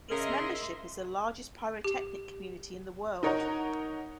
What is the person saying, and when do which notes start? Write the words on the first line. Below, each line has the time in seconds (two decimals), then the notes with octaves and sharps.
Its membership is the largest pyrotechnic community in the world.
0.10 C#3 G#4 A#4 D#5 E5 C6
1.84 G4
3.23 D#4 A#4 C#5 D#5 F#5 A#5